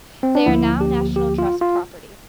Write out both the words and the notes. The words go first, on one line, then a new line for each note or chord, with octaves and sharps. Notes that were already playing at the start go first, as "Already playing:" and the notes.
They are now National Trust property.
C4
D4
D2 D3 F3 A#3 E4
G4
G4
F4
F4